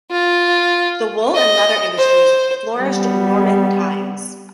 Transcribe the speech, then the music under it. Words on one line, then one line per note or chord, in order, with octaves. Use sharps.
The wool and leather industries flourished in Norman times.
F4
D#5
C5
G3 B3